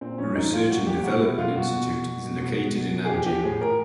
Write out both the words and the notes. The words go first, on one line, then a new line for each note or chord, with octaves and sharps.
A research and development institute is located in Nanjing.
A#2 C4
F3 C#4
F3 D#4
F3 F4
A#2 F#4
A#2 G4
B2 F#4
B2 E4
B2 F4
B2 F#4
B2
B2
B2
B2
B2
B2
B2
B2
G#4
F3 G4
F3 G4
A2 G#4
A2 A#4